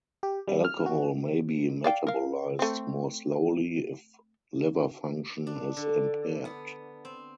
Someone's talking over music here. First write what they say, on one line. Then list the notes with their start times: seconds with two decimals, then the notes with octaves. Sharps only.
Alcohol may be metabolised more slowly if liver function is impaired.
0.23 G4
0.48 G3
0.65 F6
0.86 F#4
1.84 D5 F5 G5
2.07 A#4 F5
2.59 A3 C4
5.47 D4
5.77 D3
6.45 B3
7.05 C4